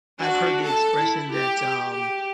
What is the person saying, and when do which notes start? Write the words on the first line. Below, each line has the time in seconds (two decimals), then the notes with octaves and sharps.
I've heard the expression that, um
0.19 D4 F#4
0.63 A4 A5
0.99 E4
1.32 G4
1.92 G4